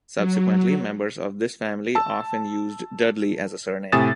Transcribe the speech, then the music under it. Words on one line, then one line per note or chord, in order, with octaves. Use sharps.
Subsequently, members of this family often used Dudley as a surname.
F#3
A5 E6
A2 C3 G#5 D#6 A6 E7